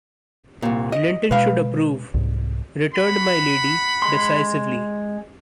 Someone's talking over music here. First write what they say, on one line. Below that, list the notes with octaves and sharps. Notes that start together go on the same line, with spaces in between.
'Linton should approve,’ returned my lady, decisively.
C2 A#2
D#5
B2 G#3 B4 F5
C2 G#2
F#5 B5
G#3 C6